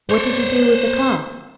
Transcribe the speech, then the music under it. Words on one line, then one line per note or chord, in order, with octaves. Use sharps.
'What did you do with the calf?'
C5 C#5